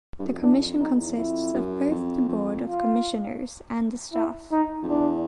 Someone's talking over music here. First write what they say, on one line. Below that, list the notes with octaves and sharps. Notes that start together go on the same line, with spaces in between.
The commission consists of both the board of commissioners and the staff.
G2
F#2
F2
E2 D4
F2
F2 D#4
E2
F2 E4
F#2
F2
F2
F4
E4
D#4
F2
E2 D4